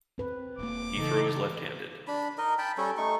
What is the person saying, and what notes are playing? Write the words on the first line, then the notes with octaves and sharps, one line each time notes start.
He throws left-handed.
C4 B4
E1 A#3 D6
C#3 E3 D#4 A4
D4 B5
D#4 A#4 D#5
G5 A5 B5
G3 C#4 A4 C#5
A3 D#4 C#6